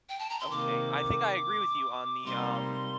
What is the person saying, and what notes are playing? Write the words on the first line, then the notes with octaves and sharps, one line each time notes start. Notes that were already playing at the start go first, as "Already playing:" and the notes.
okay I think I agree with you on the, um,
G5
A5
A#5
C6
C3 D#3 A#3 D6
C3 G3 A#3 D#4 C6